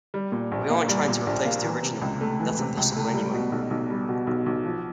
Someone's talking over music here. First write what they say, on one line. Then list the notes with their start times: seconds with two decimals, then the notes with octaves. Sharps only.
We aren't trying to replace the original; that's impossible anyway.
0.14 G3
0.32 A#2
0.52 A#1
0.70 A#3
0.89 G3
1.08 A#2
1.27 A#1
1.45 A#3
1.64 E3
1.82 C3
2.02 C#2
2.21 A3
2.40 E3
2.59 C3
2.77 C#2
2.96 A3
3.14 G3
3.33 B2
3.52 B1
3.71 B1
3.90 G3
4.09 B2
4.27 B1
4.46 B1
4.65 F3